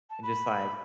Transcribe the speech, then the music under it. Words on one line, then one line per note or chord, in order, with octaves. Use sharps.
and just, like,
A5
B5